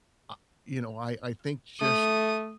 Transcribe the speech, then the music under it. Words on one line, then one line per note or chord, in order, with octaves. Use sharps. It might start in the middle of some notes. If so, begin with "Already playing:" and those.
Ah you know, I I think just
A3 D#6